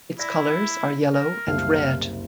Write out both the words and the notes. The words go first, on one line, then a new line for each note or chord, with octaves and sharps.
Its colours are yellow and red.
E4 D5 A#6
A#4
F#1 C2 F5